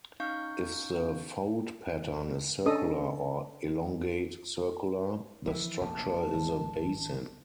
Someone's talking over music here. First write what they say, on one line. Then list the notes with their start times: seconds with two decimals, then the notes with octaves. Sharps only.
If the fold pattern is circular or elongate circular the structure is a basin.
0.20 C#4 D#4 F5 C#6 G6
2.66 C#4 D4 A4 D#5 D#6
5.47 E3 F3
5.81 F1 A#1 F#2 A5
6.33 G#1